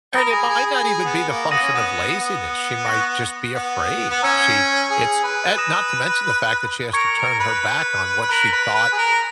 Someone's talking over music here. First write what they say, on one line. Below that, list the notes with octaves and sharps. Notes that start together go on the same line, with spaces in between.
And it might not even be the function of laziness, she might just be afraid. She it's uh, not to mention the fact that she has to turn her back on what she thought
A#4 B5 D#6 A#6
G#4
G#4
G#4
G#4
B3
A#3
B3 D#6 A#6 D#7 F#7
C#4
B3
B3
C#6 F#6 A#6
B3
B3
C#4 A#5 E6 G#6 C#7
G#4
B4
D#6 A#6 E7
A#4 C#6 G#6 C#7
A#4
B4
B4
A#4 F#6 B6 F#7
B4
B4
G#4
A#4